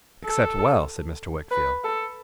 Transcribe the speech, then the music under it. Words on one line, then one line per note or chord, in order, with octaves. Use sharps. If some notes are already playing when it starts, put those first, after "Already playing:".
'Except well?' said Mr. Wickfield.
A4
B4
A4